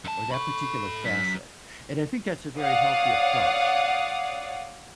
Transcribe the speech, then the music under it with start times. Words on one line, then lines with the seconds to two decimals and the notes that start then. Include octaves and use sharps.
or that particular facet," and I think that's a very healthy approach,
0.05 F#2 A5
0.32 A4 B5 C#6
1.05 F#2 B6
2.59 C#5 D5 F5 F#5 D#6